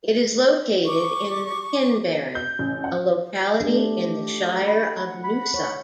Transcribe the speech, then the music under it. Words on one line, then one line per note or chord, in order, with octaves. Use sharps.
It is located in the Pinbarren, a locality in the Shire of Noosa.
C#6 D6
G6
A1
F#5
A3 D4 G4
B5
F#5
B5
C#5